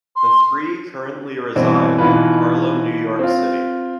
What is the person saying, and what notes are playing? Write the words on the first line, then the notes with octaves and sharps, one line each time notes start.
The three currently reside in Harlem, New York City.
C6
G2 B2 E3 C4
B2 E3 D#4 F4 B4
C4 F4